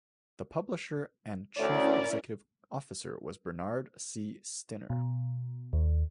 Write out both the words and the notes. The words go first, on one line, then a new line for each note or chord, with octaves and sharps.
The publisher and chief executive officer was Bernard C. Stinner.
D2 A2 C#4 E4 A#4 D5
B2
D#2